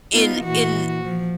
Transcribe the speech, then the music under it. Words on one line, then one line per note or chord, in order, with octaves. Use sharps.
in in
B3 D#4 F4
A#2 E3 F#4
F3